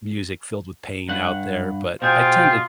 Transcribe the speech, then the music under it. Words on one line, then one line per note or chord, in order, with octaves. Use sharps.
music filled with pain out there, but I tend to
G2 F#5
B2 F4 G#4 C5 G5